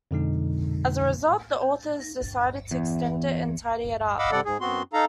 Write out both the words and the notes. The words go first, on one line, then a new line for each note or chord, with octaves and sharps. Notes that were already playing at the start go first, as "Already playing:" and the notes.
As a result, the authors decided to extend it and tidy it up.
F2 B2 D3 F3 G#3 D#4
E2
D#5 F5 F#5 B5 D6 E6
C3 G3 A4 D5 F#5
G#2 G#4
F#2 B3 C4 F#4 C6
D#4 A4 F5 A#5